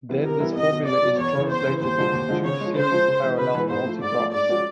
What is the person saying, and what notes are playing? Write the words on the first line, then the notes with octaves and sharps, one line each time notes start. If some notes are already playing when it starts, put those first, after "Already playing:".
Then this formula is translated into two series-parallel multigraphs.
E3 G3 B3 E4
C3 A#4
E3 G3 B3 E4
C2 D#5
B2 F#3
C2 D5
B2 F#3
E2 C#5
C#3 E3
E2 C5
C#3 E3
D#2 C5
D3 F3 G#3
D#2
D3 F3 G#3
C#3 C#5
F3 G#3
C#3 C5
F3 G#3
C#3
E3 G#3
C#3 B4
E3 G#3
G#2 C5
F3 A3
G#2 D5
F3 A3
G#2 D5
F3 G#3 C#4 F#4